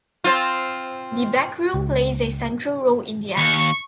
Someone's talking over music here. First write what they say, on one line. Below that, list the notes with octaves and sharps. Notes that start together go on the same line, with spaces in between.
The backroom plays a central role in the act.
C4 F4
C#2
D#2 C#6